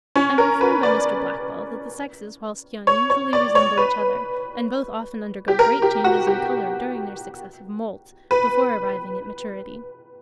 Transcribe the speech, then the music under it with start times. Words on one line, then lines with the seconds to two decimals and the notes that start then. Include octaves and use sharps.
I am informed by Mr. Blackwall that the sexes whilst young usually resemble each other; and both often undergo great changes in colour during their successive moults, before arriving at maturity.
0.16 C#4
0.38 A#4
0.61 B4
0.83 D5
2.87 C#5
3.10 C#5
3.33 D5
3.55 C#5
3.77 B4
5.48 G4
5.59 A#4
5.82 G4
6.04 F#4
6.27 G4
8.31 B4